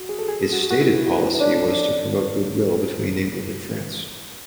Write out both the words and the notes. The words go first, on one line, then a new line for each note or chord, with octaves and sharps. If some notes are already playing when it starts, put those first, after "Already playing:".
Its stated policy was to promote goodwill between England and France.
Already playing: F#4
G#4
A4
G#4
F#4
F#4
E4
B4
D4 C#5